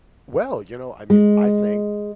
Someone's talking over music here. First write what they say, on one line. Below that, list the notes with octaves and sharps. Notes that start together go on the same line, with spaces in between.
Well, you know, I mean, I think,
G#3